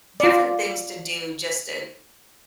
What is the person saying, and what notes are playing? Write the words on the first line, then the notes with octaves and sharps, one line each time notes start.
different things to do just to
F4 D5